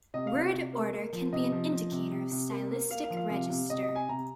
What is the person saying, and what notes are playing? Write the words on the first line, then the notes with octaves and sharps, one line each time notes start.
Word order can be an indicator of stylistic register.
C3 D#5
F5
C3
C3
A#3
A#3
F3
C3 D#5
F3
F3
C3
C3
C3
A#3
A#3
A#3 F5
F5
F3
F5
C3 F5
C3
C3 D#5
D#5
C3
G#5
C3 A#5